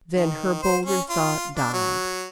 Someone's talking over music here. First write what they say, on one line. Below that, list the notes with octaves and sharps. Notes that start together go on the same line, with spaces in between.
Then her bolder thought died.
D#3
C5
C#4
F4
D4
F#3